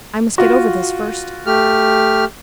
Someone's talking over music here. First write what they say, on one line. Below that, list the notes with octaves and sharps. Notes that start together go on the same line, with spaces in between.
I must get over this first.
F4 F#4
A3 G4 F6